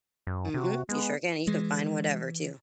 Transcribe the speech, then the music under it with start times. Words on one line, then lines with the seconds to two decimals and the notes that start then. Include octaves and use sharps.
Mhm, you sure can, you can find whatever too.
0.27 F#2
0.54 C3 F#4
0.89 G#3 B3
1.47 E3 G#3